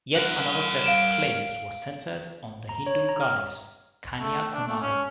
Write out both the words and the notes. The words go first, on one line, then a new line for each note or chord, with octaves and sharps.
Yet another set of claims was centered on the Hindu goddess Kanya Kumari.
A#4 F#5
F5 D7 E7
A#5
C#5
A#5
F6
A3
D4
A3
C#4